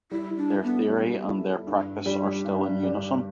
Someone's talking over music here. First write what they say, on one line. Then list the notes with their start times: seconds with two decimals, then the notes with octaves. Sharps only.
Their theory and their practice are still in unison.
0.11 G3 E4
0.37 D4
0.50 E4 A4
0.63 B3
0.89 G3
1.28 E4 A4
1.67 G2
2.06 G3 D4 G4
2.45 G2
2.83 G3 D4 G4